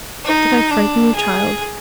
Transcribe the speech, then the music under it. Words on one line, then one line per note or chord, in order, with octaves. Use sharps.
Did I frighten you, child?
D#4
D4
G#4